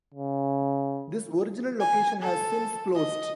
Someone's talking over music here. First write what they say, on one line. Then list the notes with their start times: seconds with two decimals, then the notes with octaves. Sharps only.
This original location has since closed.
0.14 C#3
1.80 G#5
2.22 A4
2.95 D#5